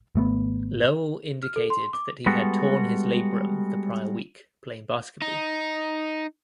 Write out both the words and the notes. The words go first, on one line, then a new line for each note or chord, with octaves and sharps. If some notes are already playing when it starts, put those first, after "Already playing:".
Lowell indicated that he had torn his labrum the prior week playing basketball.
G#1 A3 B3
F6
A4
C6
D6
G3 G#3 B3 F#4 A4
D#4